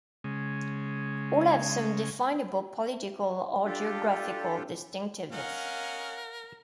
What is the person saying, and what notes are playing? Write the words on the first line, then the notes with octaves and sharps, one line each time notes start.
All have some definable political or geographical distinctiveness.
C#3 G#3
D4 F4 G4 A4
C#4 A#4 D#5 F5 F#5